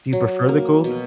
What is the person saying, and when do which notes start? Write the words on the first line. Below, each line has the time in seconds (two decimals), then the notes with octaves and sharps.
Do you prefer the cold?
0.13 F#3
0.49 A#3
0.84 B2